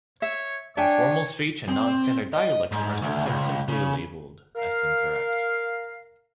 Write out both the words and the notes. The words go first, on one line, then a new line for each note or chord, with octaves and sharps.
Informal speech and non-standard dialects are sometimes simply labelled as incorrect.
C#5 E5
D4 C#5 E5 G5 G#5
C4
D#5
G#2
D2
C#2
C#3
A#4 F5